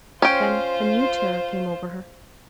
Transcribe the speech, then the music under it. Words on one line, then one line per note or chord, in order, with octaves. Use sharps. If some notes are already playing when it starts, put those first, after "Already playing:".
Then a new terror came over her.
C#4 F4 C5 G5